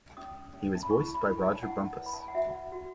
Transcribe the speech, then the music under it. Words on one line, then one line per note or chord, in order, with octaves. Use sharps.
He was voiced by Rodger Bumpass.
C#4 D#6
C#4
A5
B5
E4 C#6
B5
E4
G#5
A5
G#5
E4 F#5
B4
B5
A5
G#5
F#5
F#4 E5
F#4